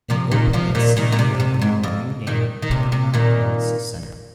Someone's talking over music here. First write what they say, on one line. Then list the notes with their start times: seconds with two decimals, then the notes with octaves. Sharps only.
It opened that same year under the new name "Paramount Arts Center".
0.10 C3 F3
0.31 A#2 D#3
0.53 C3 F3
0.75 A#2 D#3
0.97 A#2 D#3
1.12 A#2
1.19 C3
1.40 C3
1.62 G#2
1.83 F2
2.27 A#2 D#3
2.62 D#3
2.71 C3
2.92 C3
3.14 A#2 D#3